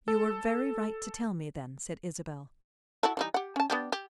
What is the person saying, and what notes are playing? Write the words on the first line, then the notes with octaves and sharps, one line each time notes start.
"You were very right to tell me then," said Isabel.
A4
E4 F#4 A4
E3 G3 D#4
G4 F#5
C#4 A5
B3 D4 G4
G4